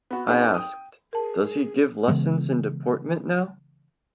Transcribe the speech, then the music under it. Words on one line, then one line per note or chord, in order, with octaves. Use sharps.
I asked, "Does he give lessons in deportment now?"
B3 F#4
C4 D#4 G#4 B4
G5 D#6
G#4 A#4 A5
C#3 E3 G#3 B3